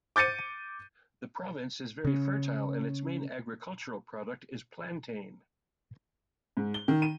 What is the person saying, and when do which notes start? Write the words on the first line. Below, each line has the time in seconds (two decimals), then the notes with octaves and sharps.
The province is very fertile and its main agricultural product is plantain.
0.16 D6 G6 A6 C#7 D#7
2.05 C#3 C#4
6.57 G#2
6.74 G7
6.88 D#3
7.02 D#7